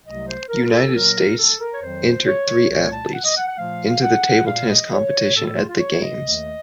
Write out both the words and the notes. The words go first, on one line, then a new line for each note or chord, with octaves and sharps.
United States entered three athletes into the table tennis competition at the games.
C2 C3 F#3 A3 D#5
C5
A#4
A#4
A4
A#2 F#3 A#3 A#4
A4
A#4
C#5
F2 D#3 F#3 C5
C#5
C2 A#2 A3 C#5
A5
F#5
D#5
F#5
F#5
A#2 F3 A3 F5
F#5
A#2 A3 F5
D#5
C#5
A2 A3 A4
A4
F4
F4
C#5
D#5
D#2 D#3 A3